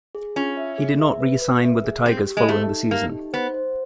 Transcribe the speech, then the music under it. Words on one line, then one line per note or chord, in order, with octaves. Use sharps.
He did not re-sign with the Tigers following the season.
G#4
C#4 F4
E5
G#4
E5
B4
B4
E5
G#4
C4 G4
G4
G#3
A3 D#4
D#4
A#3 G4
D#4
B3 C5
C5